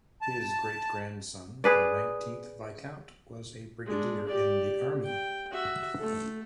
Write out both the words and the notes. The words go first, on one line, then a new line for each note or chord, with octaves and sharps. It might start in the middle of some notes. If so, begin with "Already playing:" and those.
His great-grandson, the nineteenth Viscount, was a Brigadier in the Army.
A5
G#4 B4 D5
G#3 D4
G4 D5
G5
F#4 E5
A3 A4